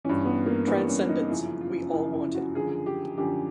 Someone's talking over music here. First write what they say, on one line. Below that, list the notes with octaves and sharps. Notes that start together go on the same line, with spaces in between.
Transcendence, we all want it.
G2 E3 C#4
B3
A#3
G2 E3 B3
C#4
D#4
F#2 C#3 F3 E4
F4
F#2 C#3 F3 E4
E4
F#4
F#2 D3 F3 G#4
G4
F#2 D3 F3 G4